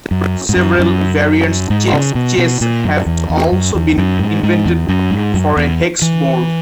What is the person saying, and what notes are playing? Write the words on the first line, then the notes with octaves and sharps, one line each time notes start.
Several variants of chess have also been invented for a hex board.
F#2
G#2
F#2
F#2
G#2
C#3
B2
B2
A#2
F#2
E2
E2
F#2
E2
F#2
G#2
G#2
E2
F#2
G#2
F#2
E2
E3